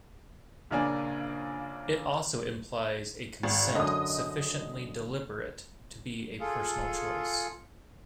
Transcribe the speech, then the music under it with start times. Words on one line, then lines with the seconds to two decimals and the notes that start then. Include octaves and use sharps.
It also implies a consent sufficiently deliberate to be a personal choice.
0.71 A#1 C#3 A#3 D4 G#5
3.43 G#1
3.75 F#2 D3 D#5 D#6
6.40 F4 G#4 A4